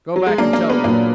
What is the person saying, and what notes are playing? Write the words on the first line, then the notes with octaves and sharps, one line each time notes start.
Go back and tell them.
F#3
G#3
F#3 A#3 D4 G#4 D5
A#3
B3
A#2 F#3 A#3 D4